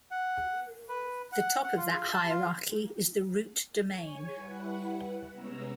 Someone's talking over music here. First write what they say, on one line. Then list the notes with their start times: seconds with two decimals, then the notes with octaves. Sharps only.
The top of that hierarchy is the root domain.
0.11 F#5
0.89 B4
1.32 F#5
1.64 F#5
1.77 F4
2.13 A5
2.29 F4
3.87 C#5 G#5
4.32 G3 E4 B4 F#5
5.31 C3 G#3 B3 C#4 A#5 E6